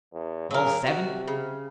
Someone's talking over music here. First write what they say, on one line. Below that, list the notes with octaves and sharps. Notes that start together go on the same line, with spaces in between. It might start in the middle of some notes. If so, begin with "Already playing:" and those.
"All seven?"
E2
C#3 F#3 A#4
C3 F#4
C#3